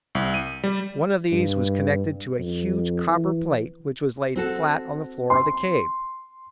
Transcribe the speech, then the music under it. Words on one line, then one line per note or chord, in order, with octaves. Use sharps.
One of these was connected to a huge copper plate which was laid flat on the floor of the cave.
C2
D#7
G3
G2
F2
E3
C4 F#4 A4
C6